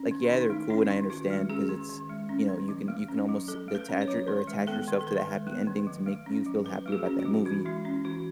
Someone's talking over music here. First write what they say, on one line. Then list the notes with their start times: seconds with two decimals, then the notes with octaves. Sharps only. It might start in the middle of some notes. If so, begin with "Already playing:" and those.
like, yeah, they're cool, and I understand 'cause it's, you know, you can you can almost detach or a attach yourself to that happy ending to make you feel happy about that movie.
Already playing: C#4
0.11 D#3
0.25 E4
0.31 D#3 D#4
0.50 A3
0.70 C#4 E4
0.90 D#3
1.10 D#3 F#4
1.30 G#3
1.50 C#4 G#4
1.69 D#3
1.89 D#3
2.09 G#3
2.29 C#4
2.49 D#3
2.69 F#3
2.88 A3
3.08 C#4
3.29 F#3
3.48 F#3 A4
3.68 A3
3.75 B4
3.89 C#4
4.02 C#5
4.08 F#3
4.27 D#3 B4
4.47 G#3
4.67 B3 A4
4.88 D#3
5.01 A4
5.07 D#3 B4
5.27 G#3
5.47 B3
5.67 D#3
5.87 F#3
6.06 A3
6.26 C#4
6.46 F#3
6.66 F#3 B4
6.86 A3 F#4
6.92 G#4
7.06 C#4
7.20 F#4
7.26 F#3
7.45 E3 F#4
7.65 G#3 E4
7.85 C#4 E4
8.05 E3 F#4